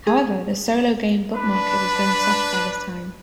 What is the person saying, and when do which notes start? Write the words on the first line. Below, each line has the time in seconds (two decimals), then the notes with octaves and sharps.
However, the solo game book market was going soft by this time.
0.07 G#4
1.36 D4 B4 B5